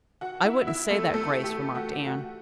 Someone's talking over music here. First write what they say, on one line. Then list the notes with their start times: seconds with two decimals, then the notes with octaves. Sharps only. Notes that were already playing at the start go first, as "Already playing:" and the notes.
"I wouldn't say that, Grace," remarked Anne.
0.21 F#4 F#5
0.45 E4 E5
0.67 E4 E5
0.90 A3 A4
1.14 A3 A4
1.44 G4
1.75 F#4
2.07 F#4